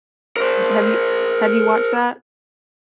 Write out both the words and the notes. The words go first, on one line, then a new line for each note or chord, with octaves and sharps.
Have you have you you watched that?
A#4 C5